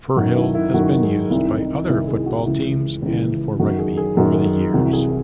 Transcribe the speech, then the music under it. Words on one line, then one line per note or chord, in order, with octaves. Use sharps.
Firhill has been used by other football teams and for rugby over the years.
F#2 D#3 F#4
E4
E4
F#2 D#3 F#4
G#4
C2 C3 D#3 E4
D#4
C2 C3 D#3 E4
G#4
F#4
C#2 C#3 E3 E4
C#2 C#3 E3
F#2 D#3 F#4
G#4
G#4
F#2 D#3 F#4
G#4
C2 C3 E3 F#4
G#4